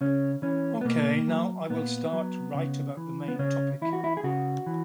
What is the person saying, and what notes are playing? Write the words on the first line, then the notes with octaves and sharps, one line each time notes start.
Okay now I will start write about the main topic.
C#3 C#4
E3 C#4
B3
B2 A#3
F#3
A#2 B3
F#3
C#3
E3
B3
C#3 C#4
E3 E4
F#4
E4
G#4
C#3 F#4
E3